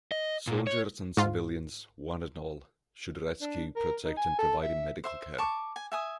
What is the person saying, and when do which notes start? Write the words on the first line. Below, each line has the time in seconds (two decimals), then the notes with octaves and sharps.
Soldiers and civilians, one and all, should rescue, protect, and provide him medical care.
0.12 D#5
0.47 A#2
0.67 C#5
1.17 G#2 F4
3.41 D4
3.76 A#4
4.04 D#4
4.17 G#5
4.38 A4
4.63 E5
5.04 C5 E5 C6
5.38 A5 C#6 D6
5.76 G#5
5.92 E5 G#5 D#6